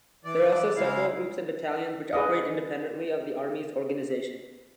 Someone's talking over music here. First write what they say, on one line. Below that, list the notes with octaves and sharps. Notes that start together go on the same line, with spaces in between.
There are also several groups and battalions which operate independently of the army's organization.
E3 D5
C#3 G#3 E4 F5
G#4 B4 D5 D#5